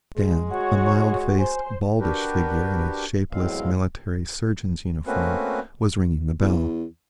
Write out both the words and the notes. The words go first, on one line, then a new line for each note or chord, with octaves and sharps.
Dan, a mild-faced, baldish figure in a shapeless military surgeon's uniform, was ringing the bell.
G#3 G#4
F#4 C#5 F#5
C5 G#5
D4 F#4 G4 A#4 B4
E2 A2 F#3 G#3 C4 F5
A3 A#3 C4 C#4 F#4 B4
E2